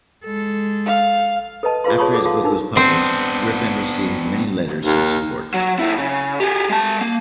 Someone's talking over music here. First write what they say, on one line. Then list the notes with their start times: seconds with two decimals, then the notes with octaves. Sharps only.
After his book was published, Griffin received many letters of support.
0.25 G#3 A4
0.86 F5
1.63 A4 B4 D#5 A5
1.84 F4 G#4 B4 F5 C6
1.98 G#4 C#5 A5 B5 C#6 D#6
2.13 G#4 A4 D5 F#5 D6
2.25 F#4 A4 F5 A5
2.44 D4 D#4 A#4
2.77 B3 C4 D4
4.85 D#2
5.54 F#3
5.79 A#2 E4
5.98 C#3
6.40 G4 G#4
6.70 G#3 A5
7.01 A#3